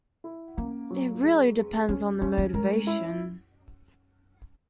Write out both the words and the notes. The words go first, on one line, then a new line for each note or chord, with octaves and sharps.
It really depends on the motivation...
E4
A#3 C#4
F#3
G#3
G#3
B3 C#4
A#3 C#4
A#3
G#3 A#4
E4